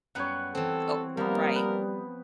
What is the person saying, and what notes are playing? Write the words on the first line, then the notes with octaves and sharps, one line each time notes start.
Oh, right.
F#2 G3 B3 C#5 F#5
E3 C4 A4
F3 G3 A#3 B3 A#4
B4